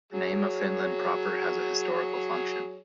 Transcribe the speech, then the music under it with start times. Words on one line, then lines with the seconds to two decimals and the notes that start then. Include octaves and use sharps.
The name of Finland Proper has a historical function.
0.13 F#3 G#4 C#5